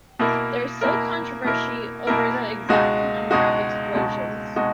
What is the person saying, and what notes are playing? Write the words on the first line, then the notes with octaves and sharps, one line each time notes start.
There is still controversy over the exact number of explosions.
B2 A#3 E4 A#4
B2 A#3 E4 A#4
B2 A#3 E4 A#4
B2 A#3 E4 A#4
C#2 B2 G#3 D#4 F#4
C#2 B2 G#3 D#4 F#4
C#2 B2 G#3 D#4 F#4
B2 G#3 D#4 F#4